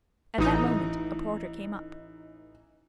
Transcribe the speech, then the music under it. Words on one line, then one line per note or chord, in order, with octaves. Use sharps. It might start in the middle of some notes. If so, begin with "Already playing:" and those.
At that moment a porter came up.
A1 E3 D#4